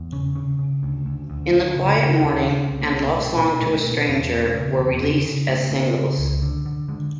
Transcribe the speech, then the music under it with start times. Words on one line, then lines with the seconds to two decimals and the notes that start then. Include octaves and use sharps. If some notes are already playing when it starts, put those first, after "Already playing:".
"In the Quiet Morning" and "Love Song to a Stranger" were released as singles.
Already playing: E2
0.12 C#3 C#4
0.35 C#3 C#4
0.59 C#3
0.83 D2
1.06 D2
1.30 D2
1.52 D2
1.76 C#3
1.98 C#3
2.22 D#2 D4
2.45 C#3 C#4
2.68 C2 C4
2.81 A#3
2.92 C2 B3
3.04 B3
3.11 A#3
3.15 B2 A3
3.39 B2
3.62 B2 G#3
3.74 A3
3.85 B2 A#3
3.97 C4
4.08 E2 B3
4.32 B2 B3
4.40 A#3
4.47 A3
4.55 C#3 A#3
4.78 E2
5.02 C#3
5.25 C#3
5.48 C#3 A3
5.71 C#3 A#3
5.96 C#3
6.18 C#2
6.42 D3
6.66 D3
6.88 D3 G#3